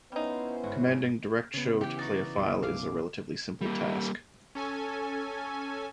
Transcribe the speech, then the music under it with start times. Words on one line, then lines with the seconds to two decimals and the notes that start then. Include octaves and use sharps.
Commanding DirectShow to play a file is a relatively simple task.
0.12 G3 B3 C#4 D#4 E4 C5
0.63 G1 G#2 F#4
1.54 C#3 B3
1.81 E3 G4 G5
1.99 D#4 F#4 D5
2.35 B1 F#2 B2
2.63 F5 D6
3.61 G3 A#3
4.55 C#4 A4 G#5